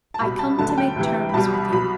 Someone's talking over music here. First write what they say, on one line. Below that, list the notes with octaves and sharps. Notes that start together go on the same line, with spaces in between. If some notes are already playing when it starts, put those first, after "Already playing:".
I come to make terms with you.
A5
C2 B2 G3 B5
A5
D2 D3 F#3 A5
A5
G5
D2 C3 E3
B5
C2 B2 G3 A5
B5
C2 B2 F#3 B5